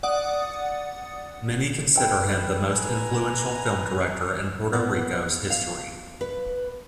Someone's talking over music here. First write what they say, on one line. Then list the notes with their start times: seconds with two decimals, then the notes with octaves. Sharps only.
Many consider him the most influential film director in Puerto Rico's history.
0.03 D5 F#5 D#6
1.95 A4 B4 G5
2.72 G#5 A#5
4.73 B3
5.50 F5
6.21 B4